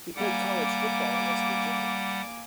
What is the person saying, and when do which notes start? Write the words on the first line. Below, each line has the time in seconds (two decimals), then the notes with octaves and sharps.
He played college football at West Virginia.
0.16 G3 A#3 F#5 G#5 D6